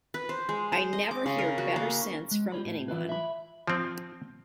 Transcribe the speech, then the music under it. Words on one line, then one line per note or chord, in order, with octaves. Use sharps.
I never hear better sense from anyone..
B4
C5
G#3
C5
D#5
D6
C#3
A#4
F#4
A#3
G#3
G3 F4 C#5 B5
A2
E3 E4 F4 B4
E5 B5
F3 C4